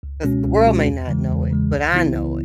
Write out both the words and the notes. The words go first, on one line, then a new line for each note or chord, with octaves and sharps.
'Cause the world may not know it, but I know it.
C#2
B2 G#3 C#4 F#4
C#2
B2 G#3 C#4 F#4
E2
C#3 E3 G#3
E2
C#3 E3 G#3
C#2
C#3 E3 B3 E4
C#2